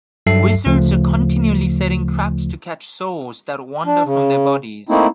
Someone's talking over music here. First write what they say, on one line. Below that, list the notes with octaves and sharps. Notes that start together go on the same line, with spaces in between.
Wizards are continually setting traps to catch souls that wander from their bodies.
G2 F#3 A4 E5 C7
D2 C#3 F3 A3
D4
C#3
A3 A#3 C4 D#4 E4